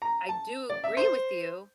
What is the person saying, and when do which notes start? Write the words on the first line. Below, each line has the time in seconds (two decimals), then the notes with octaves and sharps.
I do agree with you
0.02 A#5
0.29 A5
0.70 D5
0.84 E5
0.97 C5